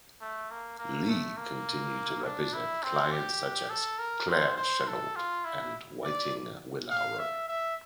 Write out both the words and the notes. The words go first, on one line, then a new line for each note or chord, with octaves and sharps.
Lee continued to represent clients such as Claire Chennault and Whiting Willaurer.
A3
A#3
A#3
A3
A#3
D4
E4
C4
G4
A4
A#4
C5
C5
A4
F4
E4
D5
F5
E5
E5